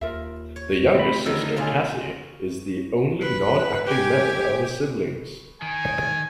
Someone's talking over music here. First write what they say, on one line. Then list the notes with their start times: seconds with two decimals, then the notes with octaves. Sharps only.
The youngest sister Cassie is the only non-acting member of the siblings.
0.01 D#2 F4 A#4 E5
0.56 C#5
0.95 A3 C4 F4 D5 B5
1.26 D3 D#3 F#3 D#4 A4
1.56 B2 D3 F4 C#5 G#5
3.21 B4
3.86 G4 G#5
5.62 D#3 G#5